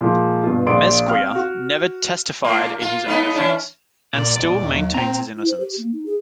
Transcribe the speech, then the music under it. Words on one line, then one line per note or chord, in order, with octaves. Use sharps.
Mezquia never testified in his own defense, and still maintains his innocence.
A#2 F3 G#3
G2 B2 F4
A#1 A#2 D5 C6 D7
C4 G4 F5 F6
F#4
A2 A#3
A#3 F4
G#2 B3 D#4
E3 C#4 D4
A#2 D5
E1 A#2 D5
D#2
F#3
A#2 C4 A#5
E4
C5
G4
A#3
D#4
G#4